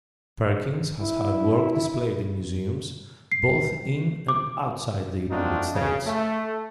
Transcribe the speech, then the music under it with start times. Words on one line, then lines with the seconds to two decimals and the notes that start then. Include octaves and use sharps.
Perkins has had work displayed in museums both in and outside the United States.
1.01 E4
3.32 C7
4.28 D6
5.31 A3 C4 D4 D#4 F4 F#4
5.74 C#3
6.06 A3